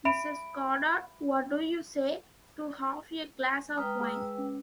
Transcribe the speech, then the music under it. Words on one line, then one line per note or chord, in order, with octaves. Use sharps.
Mrs Goddard, what do you say to half a glass of wine?
E5 B5 D7
G#3 B4 G5 A#5 D#6 F6
G#4 E6
C#4